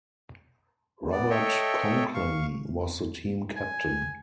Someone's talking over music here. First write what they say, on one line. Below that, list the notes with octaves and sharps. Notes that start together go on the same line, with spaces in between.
Robert Conklin was the team captain.
B3 D5
A4 C#5 D#5 E5 G5
F5 C#6
G#5